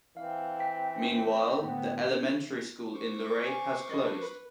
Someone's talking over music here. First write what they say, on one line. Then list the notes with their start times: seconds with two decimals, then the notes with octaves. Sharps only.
Meanwhile, the elementary school in Luray has closed.
0.17 E3 C4 F5
0.60 G5 B6
1.56 A2 D3 B3
2.94 C5 C#6 D6
3.47 G#5
3.89 G#4 D5 D#5
4.03 D4 B4
4.22 B4